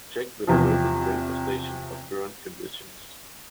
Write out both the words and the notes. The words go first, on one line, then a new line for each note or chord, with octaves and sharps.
Check with a local ranger station for current conditions.
E2 C3 F3